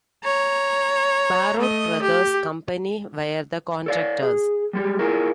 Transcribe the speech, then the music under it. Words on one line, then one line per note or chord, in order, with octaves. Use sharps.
Parrott Brothers Company were the contractors.
C#5 A#5
A3 D#5
G4
A4 D5 F5
G#4
G3 G#3 G4
E4 F4 G#4 A#4